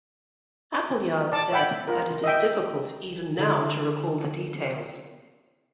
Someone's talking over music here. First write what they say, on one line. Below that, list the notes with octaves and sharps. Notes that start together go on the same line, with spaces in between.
Appleyard said that It is difficult even now to recall the details.
D5 A5
C#5 E5 F#5 G5 B5
F4 A#4
D#5 E5 G5
D3 E4 A4